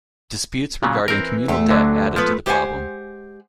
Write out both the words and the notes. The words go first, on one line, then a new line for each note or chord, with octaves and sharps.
Disputes regarding communal debt added to the problem.
A#2 C#3 F#3
E3 C4 A#4
E2 A3 G4 A4
D2 D3 F#3
F3 A3 B3 F4 B4
G#3 G4 C5 D#5 F#5 G#5